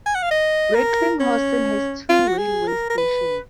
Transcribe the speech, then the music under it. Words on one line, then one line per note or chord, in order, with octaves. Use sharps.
Recklinghausen has two railway stations.
G#5
F#5
F5
D#5
A#4
C#4
F4
F#4
G#4
A#4
A#4
B4